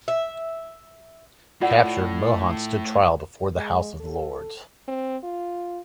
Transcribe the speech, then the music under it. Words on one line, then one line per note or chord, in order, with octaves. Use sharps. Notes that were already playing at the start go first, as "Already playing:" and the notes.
Captured, Mohun stood trial before the House of Lords.
E5
A2 F4 D5 F#5
G#3
A4
C4
F4